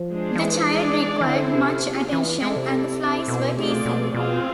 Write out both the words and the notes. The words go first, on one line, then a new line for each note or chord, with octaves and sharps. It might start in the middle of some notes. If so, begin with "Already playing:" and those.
The child required much attention, and the flies were teasing.
Already playing: F3
G#3 D4 G#4 C5
F3
E3
G#3 D4 G#4 D5
E3
D3 C4 E4 A4 C5
C3
B3 D4 F4 G#4
E3
G#3 C4 E4 A4 D5
C3
C4 E4 A4 C5
B2
C3 F3 A3 C4 G#4 D5
B2
B2
B2 C4 F4 G#4